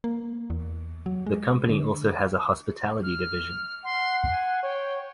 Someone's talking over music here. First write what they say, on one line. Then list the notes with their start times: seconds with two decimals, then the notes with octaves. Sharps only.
The company also has a hospitality division.
0.04 A#3
0.50 E2
1.06 F#3
1.27 G#3
1.69 D3
3.03 F6
3.84 F#5 C6
4.30 G#5
4.63 C#5 G5